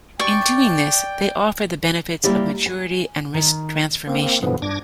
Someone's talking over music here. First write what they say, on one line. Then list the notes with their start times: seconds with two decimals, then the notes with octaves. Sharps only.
In doing this, they offer the benefits of maturity and risk transformation.
0.20 D5 G5 C#6
2.24 G3 A#3 E4 G4 D5
2.66 G#5
3.34 D#3
4.07 A#3 C4
4.43 G2 B2 D3 E3 F3 B3
4.62 G2 D4 D6 G#6 A#6